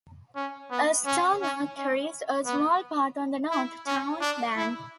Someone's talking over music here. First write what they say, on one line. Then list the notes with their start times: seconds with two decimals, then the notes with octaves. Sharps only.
A stone arch carries a small path on the north, town, bank.
0.36 C#4
0.71 B3
1.06 C#4
1.42 C#4
1.76 C#4
2.46 B3
3.52 E4
3.86 C#4
4.21 D4
4.57 E4